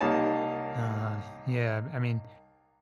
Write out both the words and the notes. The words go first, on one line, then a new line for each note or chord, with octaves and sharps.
Nah, yeah, b I mean,
C2 G3 A#3 D#4 C#5 A5